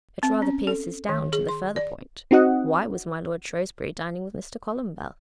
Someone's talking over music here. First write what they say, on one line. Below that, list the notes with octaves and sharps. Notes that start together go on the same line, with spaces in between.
It rather pierces down to the further point, Why was my lord Shrewsbury dining with Mr. Columbell?
C4
C#4
A4
D#3
G#4
C6
D5
C4 D#4 F#4 D#5 F#5